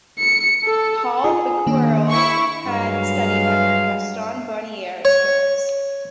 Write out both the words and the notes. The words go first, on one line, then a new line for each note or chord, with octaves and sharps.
Paul Becquerel had studied under Gaston Bonnier in Paris.
C#7
A4
F4 G#4
D#3 A#3 D4
E4 C#6
G2 F#3 G#3 F5
C#5